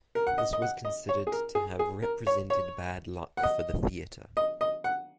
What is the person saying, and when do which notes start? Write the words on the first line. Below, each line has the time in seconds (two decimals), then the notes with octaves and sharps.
This was considered to have represented bad luck for the theatre.
0.15 A#4
0.27 F#5
0.38 D#5
0.53 D#5
0.62 F#5
0.85 D#5
1.09 C#5
1.27 G#4
1.32 A#4
1.55 G#4
1.79 G#4
2.02 A#4
2.27 C#5
2.50 C#5
3.37 F#5
3.43 D#5
4.37 D#5
4.61 D#5
4.84 F#5